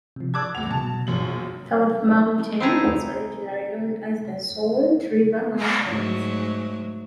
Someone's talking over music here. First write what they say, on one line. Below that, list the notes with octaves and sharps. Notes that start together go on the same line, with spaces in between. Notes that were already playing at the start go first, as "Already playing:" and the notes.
South Mountain was originally known as the Salt River Mountains.
C3 F3
D5 A5 D6 E6 F#6 G#6
D2 F#5 F7
B2 A5
A#1 F#2 F#7
C4 D#4 E4 G#4 A5 A#5
G#2 F#3 A3